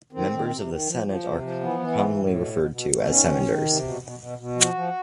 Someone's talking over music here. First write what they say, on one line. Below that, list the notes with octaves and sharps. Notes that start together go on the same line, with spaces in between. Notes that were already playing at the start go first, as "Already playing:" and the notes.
Members of the Senate are commonly referred to as senators.
D#3 C4
D#3
C3
D#3
F3
F3
C3
F3
E3 B3
E3
A2
A2
B2
B2
B2
B2
D#3 C#4
D#3
D#3
C3
B2
B2
B2
B2
F3 F#4
F3